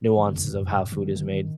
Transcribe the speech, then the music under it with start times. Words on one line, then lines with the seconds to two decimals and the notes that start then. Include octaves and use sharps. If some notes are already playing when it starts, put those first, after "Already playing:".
nuances of how food is made.
0.17 D#3
0.27 D3
0.36 F2
0.45 G2
0.55 G2
0.63 F2
0.73 G#2
0.92 D3
1.02 D3
1.16 D#3